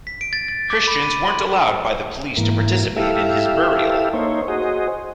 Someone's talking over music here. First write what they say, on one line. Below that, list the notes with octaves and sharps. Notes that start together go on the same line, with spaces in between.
Christians weren't allowed by the police to participate in his burial.
B6
D7
A6
A6
D6
B5
D#7
C6
G#2 E3 A#3
E4 G4 A4 E5 F5
A#3 D#4 C5 C#5
F#4 G#4 C5 D#5